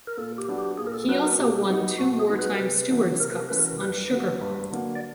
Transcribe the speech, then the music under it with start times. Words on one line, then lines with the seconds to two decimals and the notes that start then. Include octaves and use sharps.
He also won two wartime Stewards Cups on Sugar Palm.
0.07 A#4
0.17 A#2 A4
0.38 G4
0.48 F#3 B3 D4
0.58 G4
0.78 A#2 G#4
0.87 A#4
0.94 A4
1.08 F#3 B3 D4 B4
1.23 A#4
1.38 B2 G4
1.69 F#3 B3 D#4
1.98 B2 F#4
2.19 G#4
2.29 F#3 B3 D#4
2.39 B4
2.54 A#4
2.59 C3 B4
2.90 E3 A3 C#4 F#4
3.20 C3 A#4
3.30 B4
3.39 A#4
3.49 E3 A3 C#4 F#4 B4
3.59 A#4
3.80 G2 B4
4.10 D3 F#3 A#3
4.41 G2
4.71 D3 F#3 A#3
4.95 D5